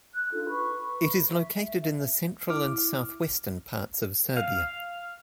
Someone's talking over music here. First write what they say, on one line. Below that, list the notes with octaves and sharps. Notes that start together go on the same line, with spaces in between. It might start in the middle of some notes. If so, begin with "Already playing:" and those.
It is located in the central and south-western parts of Serbia.
F#6
D4 D#4 F4 A4
B4 B5 C#6
E5
E4 D6 F6
F5